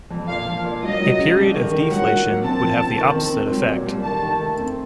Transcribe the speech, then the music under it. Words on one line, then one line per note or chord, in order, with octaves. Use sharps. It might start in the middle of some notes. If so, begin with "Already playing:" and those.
A period of deflation would have the opposite effect.
F2
A#2 F5
F3
A#2
F#3 D#5
F#3
C#3
C2
D#3
D#3
F#3 F#5
F#3
A#3
C4 A5
F3
C4
D#3
C4
C4
F#3
A#2
C2
D#3 A5
D#3
A3
C4